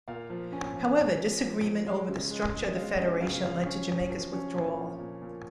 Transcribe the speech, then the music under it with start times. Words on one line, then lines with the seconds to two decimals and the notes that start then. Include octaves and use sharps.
However, disagreement over the structure of the federation led to Jamaica's withdrawal.
0.08 A#2 F5
0.30 F3
0.52 C#4 G#5
0.75 F3
0.97 C#4
1.20 F3
1.42 F3
1.64 F3
1.87 G#3
2.09 C#3
2.31 G#3
2.54 G#3
2.69 D#5
2.76 G#3 F5
2.98 C#4 D#5
3.21 C#3 F5
3.43 F3 F5
3.66 C#4
3.87 F3
4.10 F3
4.33 C#4
4.54 A#2
4.77 F3
4.99 A#2
5.22 A#2